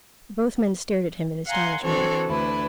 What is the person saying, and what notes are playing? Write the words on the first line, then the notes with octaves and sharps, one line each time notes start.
Both men stared at him in astonishment.
F5 F#5 G#5 A#5 C6
E3 C4 D4 F#4 A4 C#5
D2 D4 E4 B4